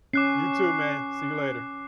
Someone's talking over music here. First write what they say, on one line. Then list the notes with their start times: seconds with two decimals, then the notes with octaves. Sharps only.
You too, man. See you later.
0.13 C#4 D6 F#6 C7